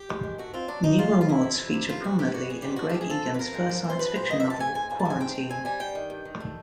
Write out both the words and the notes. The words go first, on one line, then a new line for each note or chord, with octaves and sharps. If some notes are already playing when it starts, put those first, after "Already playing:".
Neural mods feature prominently in Greg Egan's first science fiction novel, "Quarantine".
Already playing: G4
G#3
D#3
A3 F#4
C4 F4
F#3 D4
F#3 D#4
C#3 F4
C#3
F4
F2 E4
F2
C3
C3
C3 F4
C3 F#4
B3 G4
G3 F#4
B3 G#4
G#2 G4
A3 F#4
E2 G4
G#4
F3 A4
F3
B4
F3 A#4
G#2
F3
C4
C5
F3 B4
A#2 C5
A#3 D#5
E5
F3
A5
A3 G#5
G#2 G#5
C#4 G#5
A5
G#2 G#5
C4 G5
E2
C4 G#5
G3 G#5
G2 G5
D#3
G2
D#3
A3